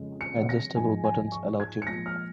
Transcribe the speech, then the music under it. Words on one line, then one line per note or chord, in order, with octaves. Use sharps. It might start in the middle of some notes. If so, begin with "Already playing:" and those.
Adjustable buttons allow tuning.
Already playing: F2 C#3 G#3
C#7
A#6
G#2 F3 G#3 G#5
G#5
C#6
G#6
C#7
A#2 F3 G#3 A#6
F6